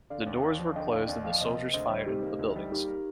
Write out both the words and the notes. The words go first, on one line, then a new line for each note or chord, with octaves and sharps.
The doors were closed and the soldiers fired into the buildings.
D3 D5 F5
D#2
D#2
F3
D3 D#5 G5
D#2 D5 F5
D#2 D5 F5
F3 D5 F5
C3 C5 D#5
A#3
D2 C5 D#5
G3
C3 D#4 G4
A#3
D2
G3
A#3 D#4 G4
A#4